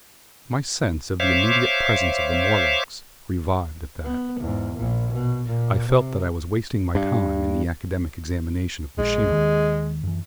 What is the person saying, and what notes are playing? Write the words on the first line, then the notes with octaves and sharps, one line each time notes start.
My sense of the immediate presence of the Morlocks revived at that. I felt that I was wasting my time in the academic examination of machinery.
C5 C#5 E5 F5 D6
B3
E2 G#2
A#1 A#2
B2
A#2
C3
G2
A#1 G#3
D#2 D#3
F#2 E3